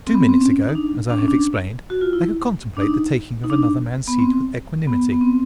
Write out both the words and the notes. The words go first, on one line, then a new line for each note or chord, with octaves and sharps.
Two minutes ago, as I have explained, I could contemplate the taking of another man's seat with equanimity.
C4
B3
C4
C4
C#4
D#4
D4
D4
C#4
D4
F#4
F4
E4
D4
D#4
D#4
D4
B3
C4
B3
B3
C4